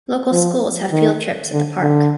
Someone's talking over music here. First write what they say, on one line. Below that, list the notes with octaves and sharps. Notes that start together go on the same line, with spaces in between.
Local schools have field trips at the park.
F3
D#3
D3
D3